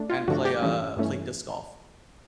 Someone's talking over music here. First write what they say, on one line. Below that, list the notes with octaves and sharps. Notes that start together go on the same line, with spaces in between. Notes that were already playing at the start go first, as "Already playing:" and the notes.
and play, uh play disc golf.
Already playing: A3 D4
F4
G2 D3 F3 A3 D4 F#4
G4
G2 E3 A3 C#4
G2 E3 A3 C#4